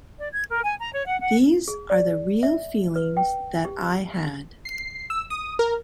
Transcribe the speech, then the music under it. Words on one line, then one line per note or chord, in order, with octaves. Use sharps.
These are the real feelings that I had.
D5
G#6
A#4
G#5
A#5
C#5
F#5
F#5
G#4
D5
E5
B4
G5
G4
C7
E6
D#6
A#4